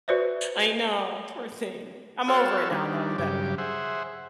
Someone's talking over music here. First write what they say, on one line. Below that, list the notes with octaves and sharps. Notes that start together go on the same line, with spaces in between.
I know, poor thing. I'm over it now though. I'm better.
F#4 B4 C5 D5 E5
F#4 A4 C#5 F5 E6
D#3 G3 D4
G2 C#3 F#3 G4 D6
G#4 C5 E5 F#5